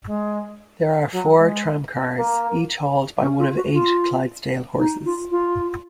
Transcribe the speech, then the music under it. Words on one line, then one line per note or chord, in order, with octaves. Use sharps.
There are four tramcars, each hauled by one of eight Clydesdale horses.
G#3
F#3
G#3
A#3
C#4
F4
F#4
F4
D#4
F4
F4